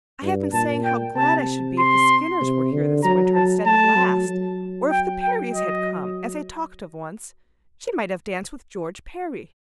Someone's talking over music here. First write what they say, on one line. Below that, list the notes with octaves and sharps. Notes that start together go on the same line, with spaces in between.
I have been saying how glad I should be if the Skinners were here this winter instead of last; or if the Parrys had come, as they talked of once, she might have danced with George Parry.
G2
A#2 A5
G5
C3 A5
C6
C3
D3
F#3 A#5
A5
A3 A5
F#3
F#3
G5
G5
D#5